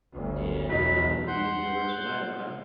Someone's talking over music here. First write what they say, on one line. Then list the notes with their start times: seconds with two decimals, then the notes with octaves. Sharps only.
and, uh, hopefully you enjoy the rest of your night, okay?
0.12 G1 D2
0.69 B1 E2 F#3 D#4 B5
1.28 F#5 C6 G6